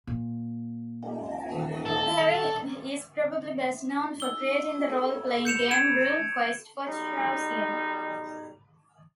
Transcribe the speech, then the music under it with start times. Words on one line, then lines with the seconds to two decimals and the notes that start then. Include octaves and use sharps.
Perrin is probably best known for creating the role-playing game "RuneQuest" for Chaosium.
0.07 A#2
1.86 A4
4.20 E6 G7
5.45 G6 C#7 E7 F7
5.71 G#6 D7 E7
6.88 B1 G3 D#4